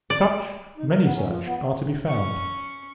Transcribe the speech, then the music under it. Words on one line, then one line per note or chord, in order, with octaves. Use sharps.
Such, many such, are to be found.
D5
D#4
A#4
B3
C#4
F3
B3
C#4 C#6